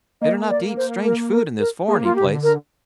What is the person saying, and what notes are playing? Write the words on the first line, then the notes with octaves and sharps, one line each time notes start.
Better not to eat strange food in this foreigny place.
A#3 D#5
D5
C5
A#4
A#4
A#4
A#3 G#4
F4
G4
C3
D3
A#4